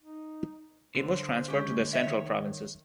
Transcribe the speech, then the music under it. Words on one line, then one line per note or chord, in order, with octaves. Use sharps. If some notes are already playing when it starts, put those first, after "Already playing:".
It was transferred to the Central Provinces.
D#4
D3 C5
G#3 C#4 G4
D#3 C#5 E5